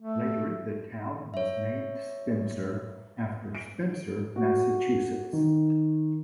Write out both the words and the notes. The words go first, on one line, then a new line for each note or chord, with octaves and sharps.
Later the town was named Spencer, after Spencer, Massachusetts.
A3
C#5 E5
D7
F#4
D#3